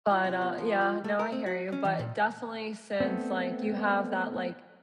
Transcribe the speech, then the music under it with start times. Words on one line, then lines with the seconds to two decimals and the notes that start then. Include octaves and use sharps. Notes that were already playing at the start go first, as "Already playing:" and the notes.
But, uh yeah, no I hear you. But definitely, since, like, you have that, like
0.11 F4
0.24 C3
0.41 B3
0.58 F3
0.81 F4
1.04 A3
1.19 A#4
1.32 C4
1.46 F#4
1.72 C#4
1.85 E3
1.99 A#2
3.00 A3 B3 C4